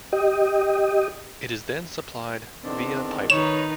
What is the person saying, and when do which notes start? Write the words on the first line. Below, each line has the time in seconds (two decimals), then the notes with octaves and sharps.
It is then supplied via pipeline.
0.12 G4 D#5
2.64 E2 D3 D#3 C4 D4
3.30 D#3 D#4 B4 C#5 E7